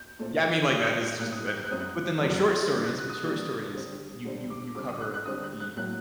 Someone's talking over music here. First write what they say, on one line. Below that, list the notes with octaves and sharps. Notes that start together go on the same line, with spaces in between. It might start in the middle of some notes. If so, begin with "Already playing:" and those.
Yeah, I mean like that is just, eh but then, like, short stories with short stories, you you you cover the,
Already playing: G6
A#2 A3 C4
A2 G3 A#3 F#6
D#6
G6
G6
A2 G3 A#3 F#6
D#6
F#6
G6
F#6
F#2 F#3 C4 D#6
F#6
F#2 F#3 C4
D3 G3 A#3 G6
F#6
F#6
D#6
D3 G3 A#3
D3 G3 C4
D3 G3 C4
D6
D3 G3 C4 D6
D#6
F#6
F#6
D3 G3 C4 D#6
F#6
F#6
A2 F#3 A#3 F#6